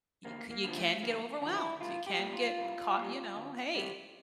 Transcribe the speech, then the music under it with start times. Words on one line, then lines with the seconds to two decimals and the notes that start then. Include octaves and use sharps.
you c you can get overwhelmed, you can get caught you know, hey,
0.25 D2 A#3
0.51 A#3
0.64 D3 F3
0.77 A3
1.03 D2 A#3
1.42 D3 F3
1.55 E4
1.80 C2 F4
2.07 G4
2.19 A#2 G3
2.33 F4
2.59 C2
2.97 A#2 G3
3.36 D2
3.75 C3 G3